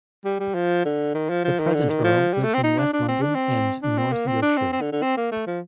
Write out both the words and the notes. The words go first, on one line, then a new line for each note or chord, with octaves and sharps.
The present Earl lives in West London and North Yorkshire.
G3
G3
F3
D3
D#3
F3
F3
D#3
D3
D#3
F3
G3
A3
C4
D#4
D4
D4
C4
D4
C4
D4
C4
A#3
C4
D4
C4
C4
D3
D3
C4
A#3
A3
F3